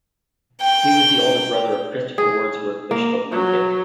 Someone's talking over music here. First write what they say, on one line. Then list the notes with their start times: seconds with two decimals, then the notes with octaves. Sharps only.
He was the older brother of Christopher Wordsworth, Bishop of Lincoln.
0.62 G5
2.18 G#4
2.91 A#3
3.32 F#3